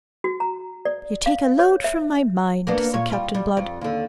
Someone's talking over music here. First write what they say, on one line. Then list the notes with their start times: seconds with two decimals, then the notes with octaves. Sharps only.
"You take a load from my mind," said Captain Blood.
0.24 F#4
0.40 A#5
0.85 D5
1.26 F5
1.59 C#5
1.84 E5
2.67 A#3 B3 D4
2.93 A#2 C#5
3.10 G3 F4
3.35 G3
3.57 F2
3.81 D#2 D3